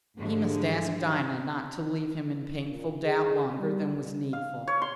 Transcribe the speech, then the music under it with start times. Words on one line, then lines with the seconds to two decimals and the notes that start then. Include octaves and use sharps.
He must ask Dinah not to leave him in painful doubt longer than was needful.
0.17 G#2 D3 F3 G3 G#3
2.69 A#2
3.03 G#4
3.58 G3
4.33 F5
4.68 C#5
4.82 C6